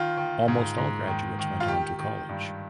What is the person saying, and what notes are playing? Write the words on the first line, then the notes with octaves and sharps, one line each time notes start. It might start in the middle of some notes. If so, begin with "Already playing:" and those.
Almost all graduates went on to college.
Already playing: D#3 F4
D#3
G#2
G#2
D#3
D#3
F4
D#3 G4
D#3
G2